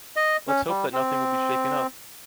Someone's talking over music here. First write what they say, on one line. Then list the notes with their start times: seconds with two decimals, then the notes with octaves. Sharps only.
Let’s hope that nothing will be shaken up!
0.16 D#5
0.48 C#4
0.69 G3
0.93 C4